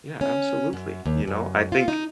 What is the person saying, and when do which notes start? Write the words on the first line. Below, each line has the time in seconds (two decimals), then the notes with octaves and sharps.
Yeah, absolutely, you know? I think
0.21 C#4
0.73 F#2
1.06 D#2
1.27 F#2
1.72 F4
1.88 D#4